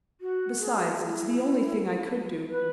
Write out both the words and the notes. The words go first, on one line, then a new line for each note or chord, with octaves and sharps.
Besides, it's the only thing I could do.
F#4
G#4
F#4
E4
B4